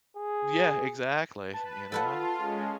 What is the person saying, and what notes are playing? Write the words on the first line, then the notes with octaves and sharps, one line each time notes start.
Yeah, exactly, you know?
G#4
B4 A5
F4 A4 B4 F#5
G#3 C#4